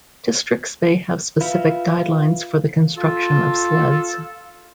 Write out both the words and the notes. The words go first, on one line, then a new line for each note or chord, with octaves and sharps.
Districts may have specific guidelines for the construction of sleds.
F4 B4 E5 F5 B5
F4 A4